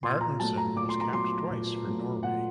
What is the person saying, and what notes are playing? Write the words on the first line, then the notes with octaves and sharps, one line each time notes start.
Martinsen was capped twice for Norway.
A#2 C6
A#5
F#3 A3 A5
A#5
A#2 D6
C6
A#5
F#3 A3 C6
A#2
F#3 A3
A#2 F#5